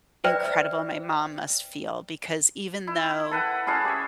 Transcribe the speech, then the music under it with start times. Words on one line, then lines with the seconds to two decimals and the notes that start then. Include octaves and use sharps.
incredible my mom must feel because even though
0.24 B4 C5 D5 E5 G5
2.87 E4
3.31 A4 B4 F#5 G5
3.67 C#4 E4 G#4 A4
3.85 G4 C#5